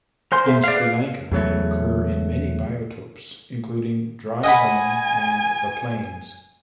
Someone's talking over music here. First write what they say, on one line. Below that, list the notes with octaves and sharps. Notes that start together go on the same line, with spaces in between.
In Sri Lanka, they occur in many biotopes including dry zone and the plains.
A#4 C5 G#5 C6
G#4 E5
D5 F5
B4 F5
E2 C#3 F#3 A3
D#5 F#5 G#5 B5